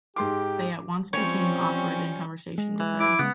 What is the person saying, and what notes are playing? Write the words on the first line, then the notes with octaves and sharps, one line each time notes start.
They at once became awkward in conversation with her.
G#2 G4 C6 D6
F3 G3 C4 C#4 C#5
G#3
E3
E4 D6
C#3 G#3 B3